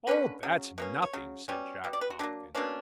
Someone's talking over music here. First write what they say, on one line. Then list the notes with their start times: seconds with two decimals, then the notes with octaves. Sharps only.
'Oh, that's nothing,' said Jack Hopkins.
0.07 D3 A#3 C#4 B4
0.43 C#3 F#3
0.78 B2 A#3 C#4
1.02 C#5
1.13 C#3 F#3
1.48 B2 G3 C#4
1.84 B2 G3
1.93 D5
2.01 B4
2.10 F#4
2.19 D3 F#3 A#3 D4
2.55 B2 A#3 C#4 D4